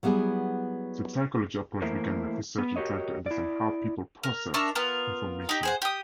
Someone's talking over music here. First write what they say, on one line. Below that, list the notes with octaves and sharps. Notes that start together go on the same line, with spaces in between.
The psychology approach began with research in trying to understand how people process information.
F#3 G3 B3 E4 G#4
E3 A3 A#3 E4 A#4 C5
B3
F#4 G4 A#4 C#5 D#5
E4 D5
A#4
D4 A#4 E5 C#6
B3 F4 A#4
D#4 G4
G#4 C5 F#5
G4 D#6